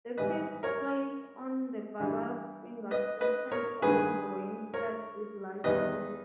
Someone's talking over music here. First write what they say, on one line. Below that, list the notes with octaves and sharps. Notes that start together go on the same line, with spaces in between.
The priests place on the barber's fingers certain old rings set with large stones.
G#1 G#2 E3 G3 B4 D#5
A#4 C#5
G2 E3 G3
B4 D#5
B4 D#5
A#4 C#5
G2 D#3 G#3 G#4 B4
A#4 C#5
E2 D#3 G3 B4 D#5